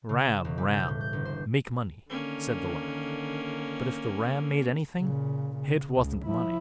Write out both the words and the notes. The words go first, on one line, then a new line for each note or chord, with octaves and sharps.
'Ram, ram! make money!' said the lad; but if the Ram made anything, it wasn't money.
C#3
E7
E1
G3
G6
A2
G6
G1
C5
D3 D#3 A#3 C#4
A#2 C#3
C#3
C#2 C#3
F3 E4